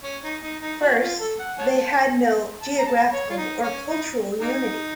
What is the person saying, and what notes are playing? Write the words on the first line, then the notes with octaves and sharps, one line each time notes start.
First, they had no geographical or cultural unity.
C#4
D#4
D#4
D#4
F#4
F4
A4
F#5
C#5 F#5 A5
A5
A#5
A5
C#5
F4
D#4
C#4
D#4
A#3 D#4